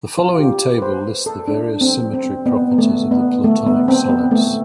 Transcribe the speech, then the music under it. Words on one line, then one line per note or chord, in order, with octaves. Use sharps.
The following table lists the various symmetry properties of the Platonic solids.
F4
F4
G4
B4
C5
A4
D4
C4
C4
B3
B3
A3
B3
A3
B3
C4
B3
A3